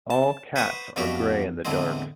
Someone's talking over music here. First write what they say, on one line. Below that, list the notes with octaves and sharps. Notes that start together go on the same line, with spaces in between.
All cats are grey in the dark.
A5
B4 C5 F#5 C#6 D#6
F2 B2 A3 D4 F#4 G4
E2 A2 D3 E3 G#3 C4